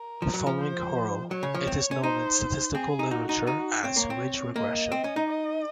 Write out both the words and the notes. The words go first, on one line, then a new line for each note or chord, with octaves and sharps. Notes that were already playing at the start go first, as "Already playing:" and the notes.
Following Hoerl, it is known in the statistical literature as ridge regression.
Already playing: A#4
F3
F#3
F3
C5
F#3 C#5
C#3
F3
C4
C#4
D#4 C5
C4 G#4
D#4
D#4 F#4
D#4
D#4
C4 C#5
A#3
C4
A#3 D#5
C4
C#4
D#4
D#5